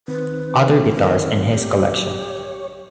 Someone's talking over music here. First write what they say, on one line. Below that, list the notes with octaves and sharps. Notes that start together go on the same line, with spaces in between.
Other guitars in his collection.
D#3 C4 B4
A#4
G4
F#3
C#5